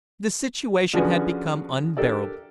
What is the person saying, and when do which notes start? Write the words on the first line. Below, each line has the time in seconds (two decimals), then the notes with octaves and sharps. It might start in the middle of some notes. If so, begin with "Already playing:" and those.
The situation had become unbearable.
0.94 D3 F3 C#4 F#4 G#4 B4
1.97 D4 G4 A4 A#4 D5